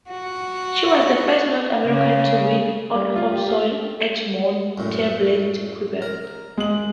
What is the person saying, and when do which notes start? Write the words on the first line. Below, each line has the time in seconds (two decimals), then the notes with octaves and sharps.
She was the first North American to win on home soil at Mont-Tremblant, Quebec.
0.10 F#4
1.85 C#3
2.94 G3
3.16 F4
3.32 G4
3.49 F5
4.78 F#2 A2
6.02 A#4
6.57 G#3 F#7